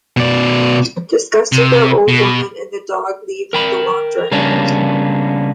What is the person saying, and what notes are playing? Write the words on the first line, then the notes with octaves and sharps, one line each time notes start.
Disgusted, the old woman and the dog leave the launderette.
B2 D5
C3
B2
A#4 G5 B5
C#3 G3 A#3 B3 C#4 D4